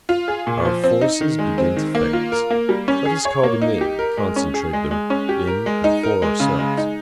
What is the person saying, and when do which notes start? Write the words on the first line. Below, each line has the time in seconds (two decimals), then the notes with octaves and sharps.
Our forces begin to fail us; let us call them in and concentrate them in and for ourselves.
0.09 F4
0.28 G#4
0.47 A#2
0.65 F3
0.84 C4
1.01 D#4
1.21 D#3
1.39 G#3
1.58 C4
1.76 D#3
1.95 A#3
2.13 F4
2.32 A#4
2.51 A#3
2.69 G3
2.88 C#4
3.05 G#4
3.25 C#5
3.43 A#3
3.62 D#4
3.81 G4
3.99 A#4
4.17 G#3
4.36 C#4
4.54 G#4
4.73 G#3
4.91 G#3
5.10 C#4
5.29 G4
5.47 A#4
5.66 G#3
5.84 D#4
6.03 A#4
6.22 G#3
6.40 C#3
6.59 G#3
6.78 D#4